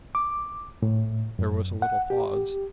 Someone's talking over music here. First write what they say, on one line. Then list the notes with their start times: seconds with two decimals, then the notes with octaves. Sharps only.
There was a little pause.
0.15 D6
0.82 A2
1.39 F#2
1.82 F#5
2.10 G4